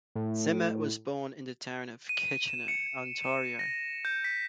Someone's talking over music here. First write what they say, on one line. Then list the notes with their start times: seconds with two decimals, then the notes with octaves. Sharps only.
Zimmer was born in the town of Kitchener, Ontario.
0.16 A2
2.09 D#7
2.48 E7
2.68 C#7
3.24 E7
3.59 A#6
4.05 G6
4.24 B6